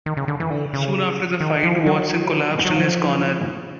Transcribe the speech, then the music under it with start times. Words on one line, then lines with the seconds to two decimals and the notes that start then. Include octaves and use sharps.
Soon after the fight Watson collapsed in his corner.
0.06 D#3
0.17 C#3
0.28 D3
0.40 E3
0.50 D3
0.73 C#3
1.41 D#3
1.63 F3
1.86 F#3
2.65 F#3
2.76 F3